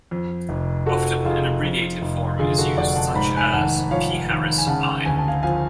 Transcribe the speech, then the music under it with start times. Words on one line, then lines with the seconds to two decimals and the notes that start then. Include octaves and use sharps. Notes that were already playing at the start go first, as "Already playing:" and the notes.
Often an abbreviated form is used, such as "pHarris I".
0.11 F2
0.49 F1
0.86 F3 F#4 A4
1.25 F1 F4 G#4
1.63 F2
2.02 F1
2.39 D3 F4 G#4
2.58 F#4 A4
2.77 F1 D5 F#5
2.96 F#5 A5
3.15 G#2 B5
3.37 G#5 B5
3.53 G#1 F#5 A5
3.91 F3 C#5 F5
4.30 G#1
4.58 G#5
4.67 C#3 F#5 A5
5.05 D2 G#5
5.16 A5
5.28 F5 G#5
5.43 F3 F5 G#5